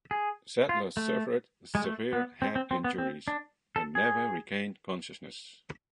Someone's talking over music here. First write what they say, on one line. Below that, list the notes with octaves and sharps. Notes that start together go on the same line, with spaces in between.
Sadler suffered severe head injuries and never regained consciousness.
G#4
F4
A3
G#3
A3
B3
C4
C4
C4
B3
C4
D4
A4
G#4